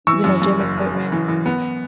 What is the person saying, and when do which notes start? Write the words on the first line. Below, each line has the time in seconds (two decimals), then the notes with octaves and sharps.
you know, gym equipment.
0.07 E3 C#6 E6
0.24 F#2
0.42 F#2
0.59 F#1
0.77 F#1
0.94 F#1
1.12 E3
1.28 E3
1.46 B3